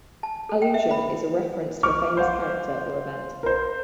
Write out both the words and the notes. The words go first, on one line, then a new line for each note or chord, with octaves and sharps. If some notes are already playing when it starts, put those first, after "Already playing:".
Allusion is a reference to a famous character or event.
A5
A4
G5
E5
B5
C#6 D6 F6
C5 F5 F#5
A#4 C5